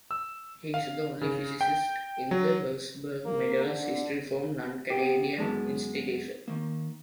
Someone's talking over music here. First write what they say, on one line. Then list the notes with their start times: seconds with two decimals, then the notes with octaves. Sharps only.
He is the only physicist in the Herzberg Medal's history from a non-Canadian institution.
0.11 E6
0.74 F5
1.21 C#3
1.61 G5
2.31 F#3
3.25 A#3
3.64 D3
4.90 B3 G4
5.37 F#2 G#3 B3 A5
6.48 D#3 A#3